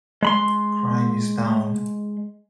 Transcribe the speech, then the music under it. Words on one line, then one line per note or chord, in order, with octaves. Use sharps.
Crime is down.
G#3 B5 C6